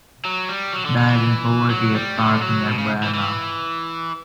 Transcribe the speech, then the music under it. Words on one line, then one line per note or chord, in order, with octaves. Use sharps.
Died in poverty at Park, near Bearna.
F#3
G3
F#3
D3
D3
E3
F#3
G3
D3
F#3
B2
C#3
E3
E3